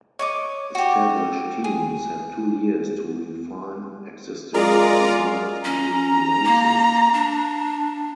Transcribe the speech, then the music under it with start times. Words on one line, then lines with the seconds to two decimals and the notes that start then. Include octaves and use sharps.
Established teams have two years to refine existing designs between rayces.
0.19 C#5 D#5 D6
0.75 F#4 G4
1.64 G#4
4.54 G#3 F4 G#4 A#4 D5 A#5
5.64 C#4 A#5
6.45 A#3
7.14 D4